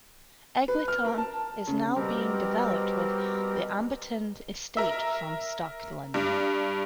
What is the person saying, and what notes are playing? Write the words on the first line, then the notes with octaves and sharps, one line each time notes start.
Eglinton is now being developed with the Amberton estate from Stockland.
B4
F6
A#4
A5
C#3
B2 G3 C4 A#4
A#4 E5
G2